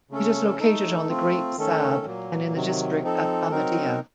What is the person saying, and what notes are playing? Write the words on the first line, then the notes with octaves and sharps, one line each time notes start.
It is located on the Great Zab and in the district of Amadiya.
C#3 A3 C#4 A4
A3 D#4 A4
A3 C4 F4
D#3 A3 C#4 A4
A#2 F#3 A#3
C3 D#3 F#3
F3 C4 D#4 A4
F#3 C4 D#4 A#4